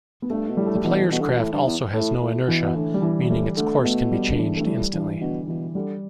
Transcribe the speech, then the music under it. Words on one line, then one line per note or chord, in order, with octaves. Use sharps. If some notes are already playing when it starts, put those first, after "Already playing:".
The player's craft also has no inertia, meaning its course can be changed instantly.
B3
G2 A3
B2
A2 G3
A3
G3
B2 E3
B2
D3
B2
A2
G2
E2
A2
A2
B2 E3
B2
A2 D3
G3
E2 E3
E2
A2 G3
D3 A3
B3
B2 A3
G3
D3
E3
G2 A3
A2 G3
G2 E3
B2 D3
B2 E3
D3 G3